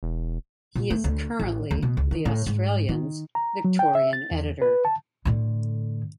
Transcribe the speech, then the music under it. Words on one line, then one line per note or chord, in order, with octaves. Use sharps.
He is currently "The Australian's" Victorian editor.
E1
A#2
A3
D2
A1
D2
B2
C#2
D#3
A2
G#2
D#3
A#5
F#3
G5
E5
A6
E2
B4
A5
A2 D3